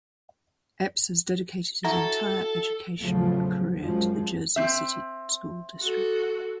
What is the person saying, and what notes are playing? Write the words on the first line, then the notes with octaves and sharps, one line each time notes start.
Epps has dedicated his entire education career to the Jersey City School District.
E4 F#4 A4 E5 A#5
E2 A2 C#3 F3 F#3 A3
F#2 F3 G#3
C4 E5
F#4 A4